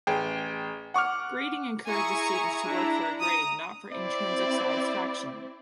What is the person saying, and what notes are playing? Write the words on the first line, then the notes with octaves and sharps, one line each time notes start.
Grading encourages students to work for a grade and not for intrinsic satisfaction.
A1 G#4 G5
F#5 C#6 D6 F6
E4 G#4 G#5 A#5 C#6
D4 E4 A#5
A#5 D#6
C4 E4 D5